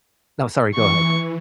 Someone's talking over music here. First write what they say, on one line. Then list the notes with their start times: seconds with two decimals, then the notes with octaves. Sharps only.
No, sorry; go ahead.
0.76 E3 C#6